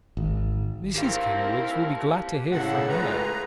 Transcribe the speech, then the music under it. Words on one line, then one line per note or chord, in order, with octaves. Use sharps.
Mrs Kenwigs will be glad to hear from her.
G#1
C4 E4 G4 A#4 F5
C#2 A2 C#3 A4 E5 F#5
F4 G#4 B4 A#5